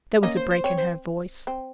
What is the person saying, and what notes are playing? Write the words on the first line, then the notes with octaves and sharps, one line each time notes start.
There was a break in her voice.
A#3 C#4 D#5
C5
C5
C4 C#5
C5
C4